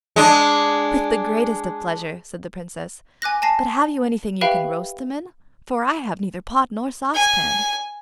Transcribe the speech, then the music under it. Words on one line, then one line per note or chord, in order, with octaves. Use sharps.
'With the greatest of pleasure!' said the Princess; 'but have you anything you can roast them in? for I have neither pot nor saucepan.'
G#3 D4
G#5 D6 F#6 A#6
G#5 A5 A#6 C7
G4 B4 E5 F5 G5 B5
G#5